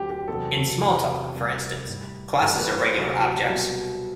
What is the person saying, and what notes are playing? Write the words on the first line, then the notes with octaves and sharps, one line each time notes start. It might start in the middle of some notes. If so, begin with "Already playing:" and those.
In Smalltalk, for instance, classes are regular objects.
Already playing: D2 D3 F#3 G4
G4
E2 C3 F#3 A4
E2 C3 F#3
D2 C3 G3
A2 G3
A2 E3 G3 A4
B4
C5
D2 C3 F#3
C2 B2 F#3